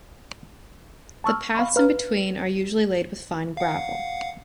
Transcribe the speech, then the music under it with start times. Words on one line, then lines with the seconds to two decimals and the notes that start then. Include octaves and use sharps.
The paths in between are usually laid with fine gravel.
1.24 A5 C#6 E6 F6
1.55 F5 B5 C#6
1.76 B4 F5 A#5 F6
3.57 F5 F#5